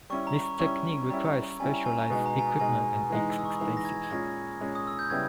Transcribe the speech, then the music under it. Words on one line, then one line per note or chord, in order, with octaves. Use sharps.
This technique requires specialized equipment and is expensive.
G3 C#4 E4 C#6
A#5
C#6
G3 C#4 E4 C#6
C#6
G3 C#4 E4 A#5
G3 C#4 E4 G#5
A#5
G#5
A#5
B2 G#3 D#4 G#5
A#5
G#5
B2 G#3 D#4 G#5
E3 G#3 D#4
E6
D#6
C#6
B5
E3 G#3 D#4 A#5
A#6
G#6
G#6
A#2 G#3 C#4 A#6
A#2 G#3 C#4
D#6
E6
G6
C#3 G3 B3 E4 G#6